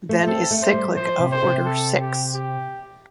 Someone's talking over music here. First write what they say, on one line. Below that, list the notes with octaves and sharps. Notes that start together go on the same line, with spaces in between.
Then is cyclic of order six.
A3
C4 A4
A3
C5
G3
F3 C5
C3
C5
C3
A4
G4
G4